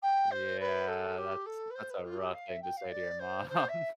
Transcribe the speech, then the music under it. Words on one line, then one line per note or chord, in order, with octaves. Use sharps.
Yeah, that's that's a rough thing to say to your mom.
G5
C5
B4
A4
G4
A4
B4
C5
B4
F4
G4
F5
E5
G5
F5
D5
C5
C5
E5